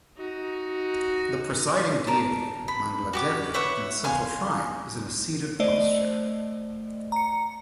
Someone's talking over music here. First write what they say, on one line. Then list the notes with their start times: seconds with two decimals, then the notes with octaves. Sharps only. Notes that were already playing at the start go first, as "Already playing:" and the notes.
The presiding deity, Mangaladevi in the central shrine is in a seated posture.
0.17 D#4 F#4
2.07 A#4 A5
2.68 B5
3.13 F#4 G4 D6
3.54 B4 C#5 E5 F#5
4.04 F5 G#5 C6
5.60 A3 C5 D5 D#5
7.12 A#5 C#7